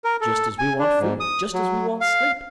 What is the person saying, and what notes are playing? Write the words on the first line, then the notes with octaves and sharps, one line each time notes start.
Just as we want food, just as we want sleep.
A#4
A4
G#5
D4
G#2
D#6
F#3
F5